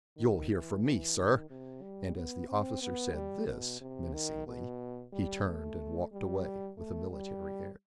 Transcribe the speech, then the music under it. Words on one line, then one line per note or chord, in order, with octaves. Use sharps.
"You'll hear from me, sir." And as the officer said this, menacingly, he turned and walked away with a military air.
D#3
E3
E3
D#3
C3
G3
B3
C4
B3
G3
B2
C3
D#3
B2
G3
A3
G3
A3
G3